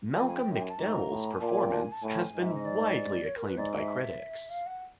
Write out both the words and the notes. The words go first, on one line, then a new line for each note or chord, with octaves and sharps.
Malcolm McDowell's performance has been widely acclaimed by critics.
F2 G#5
G#5
G5
F#2
G5
G#5
A5
G#2 A#5
A2
G#5
A#2 A5
G5
G#5
G5
A5
G#5
A5
A2 G#5
G#2
E5
D#5
D5
C#5
A#4
B4
G#2 D5
E5
F5
F#5